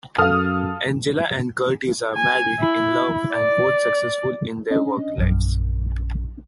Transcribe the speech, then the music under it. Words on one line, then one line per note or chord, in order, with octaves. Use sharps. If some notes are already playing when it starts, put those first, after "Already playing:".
Angela and Curtis are married, in love and both successful in their work lives.
F#2 A4 F5 D#6 F6
G#5
E4
D5
C#4 D4 D#5
A#1 F#2